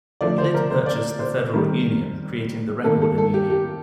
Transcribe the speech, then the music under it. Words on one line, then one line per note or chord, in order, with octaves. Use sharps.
He later purchased "The Federal Union", creating "The Record and Union".
D3 F3 A3 D5
C5
A#4
C5
D5
C5
D#3 G3 C4 A#4
D#3 A#3 A4
A4
A4
G4
G4